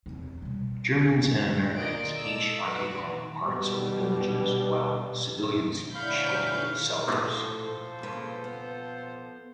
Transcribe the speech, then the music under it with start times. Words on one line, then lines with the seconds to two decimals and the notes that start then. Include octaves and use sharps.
Germans and Americans each occupying parts of the villages while civilians sheltered in cellars.
0.06 E2 C4
0.42 B2 G3
0.96 A1 C4
1.33 D#3 G#3
1.77 F4 A#4 D5 D#5 D7
2.18 A4 D#5 D6 E6
2.65 F#4 B4 D5
3.44 B2 G3
5.95 A2 D3 E3 F5 B5 C#6 G6
7.08 A2 F3 A3 A4 C5
8.03 C#3 A#3 B4
8.44 B3